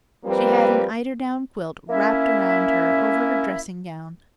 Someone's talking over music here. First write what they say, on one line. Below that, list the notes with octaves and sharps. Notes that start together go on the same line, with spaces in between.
She had an eiderdown quilt wrapped around her over her dressing-gown.
F3 G3 A#3 C4 B4
A#3 C#4 E4 E5